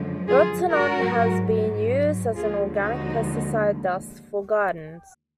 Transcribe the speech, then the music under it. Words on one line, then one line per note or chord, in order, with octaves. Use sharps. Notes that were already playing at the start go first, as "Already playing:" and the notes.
Rotenone has been used as an organic pesticide dust for gardens.
Already playing: F#2 D3 F3 G#3
F4 G#4
G#2 F#3 F#4 A#4
D#2 D3 F3 G#3 F4 G#4
D#4 F#4